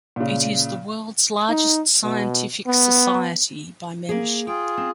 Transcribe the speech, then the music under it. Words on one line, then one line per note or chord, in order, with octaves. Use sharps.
It is the world's largest scientific society by membership.
A#2 C#3
D#4
B2
B3
A#3 G#4
F4 G#4 G5
C4